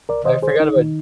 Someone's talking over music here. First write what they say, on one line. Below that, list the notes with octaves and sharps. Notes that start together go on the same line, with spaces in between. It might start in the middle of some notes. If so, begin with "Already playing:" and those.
I forgot about
C2 A#4 D5
D#3 C5 D#5
C2 G#4 C5
C2 D#4
D#3